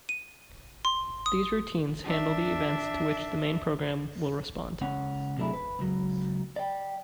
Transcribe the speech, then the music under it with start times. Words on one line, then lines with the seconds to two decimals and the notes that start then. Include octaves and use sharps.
These routines handle the events to which the main program will respond.
0.09 D#7
0.85 C6
1.26 D#6
2.04 D4 E5
4.81 C#2 C#4 F#5
5.38 C3 F#3 A3 D4 E4 G#4
5.53 B4
5.79 C#2 F#3
6.56 D5 G5